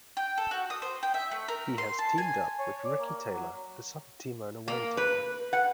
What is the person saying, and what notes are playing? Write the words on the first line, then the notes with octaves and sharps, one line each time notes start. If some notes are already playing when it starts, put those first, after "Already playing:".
He has teamed up with Ricky Taylor, the son of team owner Wayne Taylor.
G5
A4
F#4
D#6
C5
G5
E5
A3
A#4
C6
A5
G#5
C#5
D5
A#3
F#3
A#3
B4
F#5